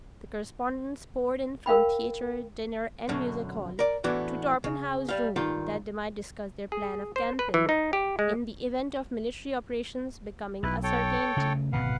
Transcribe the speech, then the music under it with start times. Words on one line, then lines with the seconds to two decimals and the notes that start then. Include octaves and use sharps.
The correspondents poured in from theatre, dinner, and music-hall to Torpenhow's room that they might discuss their plan of campaign in the event of military operations becoming a certainty.
1.66 A#4 F5 G5 B5
3.09 F#2 B2 D3 F#3
3.79 A#4 D5
4.04 A2 E3 B3 D4 F#4
4.64 C#3
5.09 G3 F5
5.36 G2 D#3 F4
6.72 G#4
7.16 C5
7.39 B4
7.54 E3
7.69 D#4
7.93 G4
8.19 G#3
10.63 B1 E4 B4
10.83 A4 C#5 G5
11.37 C#3 A3
11.73 D1 G#1 B2 B4 F5 F#5